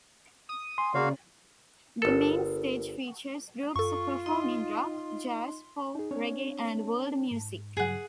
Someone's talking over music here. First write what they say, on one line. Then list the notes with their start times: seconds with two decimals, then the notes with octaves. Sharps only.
The main stage features groups performing rock, jazz, folk, reggae and world music.
0.49 D#6
0.78 G#5 C6
0.94 C#3 A#3 F#4 D5 F5
2.02 G1 A4 A#4
3.76 F#2 F4 A4 C#6
4.26 D#4 D#5 C6
5.95 D#4 G#4
6.11 C4 D4 C#5
7.31 G#2
7.77 G2 C#3 F#3 G#4 F#5